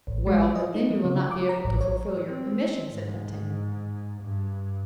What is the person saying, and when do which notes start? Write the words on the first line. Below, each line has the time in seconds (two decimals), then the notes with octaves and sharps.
"Well, but then you will not be able to fulfill your commission," said d'Artagnan.
0.07 A1
0.27 G#3
0.43 F4
0.55 D#5
0.74 D#4
0.90 F3
1.05 C#3
1.17 F4
1.31 D6
1.49 A#5
1.64 A1
1.81 C#5
2.24 C4
2.88 G#2
4.21 G2